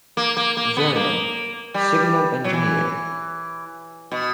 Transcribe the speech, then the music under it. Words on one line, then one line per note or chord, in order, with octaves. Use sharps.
Vernon, Signal Engineer.
A#3
A#3
A#3
B3
A#3
G3
F#3
E3
B2